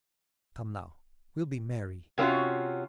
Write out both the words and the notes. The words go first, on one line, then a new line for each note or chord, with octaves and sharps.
Come now, we'll be merry.
C3 A#3 C#4 F4 F#4